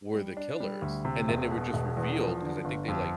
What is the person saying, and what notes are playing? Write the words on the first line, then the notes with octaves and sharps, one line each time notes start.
were the killers, and, then, they were just revealed 'cause I think they, like
G3
D4
G3
D2
C3
E1
B2
E1
E2
F3
D3
G1
F2